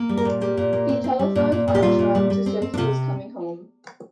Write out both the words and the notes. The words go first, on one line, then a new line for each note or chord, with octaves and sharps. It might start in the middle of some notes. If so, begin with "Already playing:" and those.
He telephoned Armstrong to say he was coming home.
Already playing: A#3
G3
A#4
A#2
A#3 G4
A#2
A#3
C4
C4
G3
A#2
A#2
A#2
G4
G3 F4
A#2
G3
G3
C4
C4
D4
C3 F4